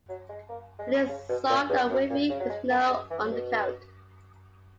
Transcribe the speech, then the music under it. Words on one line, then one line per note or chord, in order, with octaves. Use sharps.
It is soft and wavy with no undercoat.
F#3
G#3
A#3
G#3
C#3
B2
A#2
E2
F#2
A#2
C#3
F#3
G#3
A#3
G#3
E3
C#3
B2